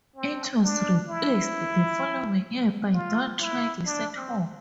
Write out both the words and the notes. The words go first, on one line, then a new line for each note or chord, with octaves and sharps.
It was replaced the following year by Don't Try This at Home!
C4
D4
E4
F4
E4
D4
C4